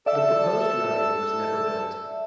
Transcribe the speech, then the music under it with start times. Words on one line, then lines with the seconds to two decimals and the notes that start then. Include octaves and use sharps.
The proposed routing was never built.
0.06 A4 D5 E5 A5 E6